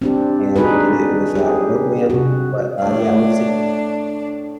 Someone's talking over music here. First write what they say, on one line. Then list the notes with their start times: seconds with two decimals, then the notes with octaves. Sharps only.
and he did it with, uh, Redman. But, uh, yeah, I would say,
0.02 C4 D4 G4
0.56 D4 D#4 F#4 G#4 B4
1.35 G4 G#4
2.10 C3 F#4
2.82 A2 D4 C#5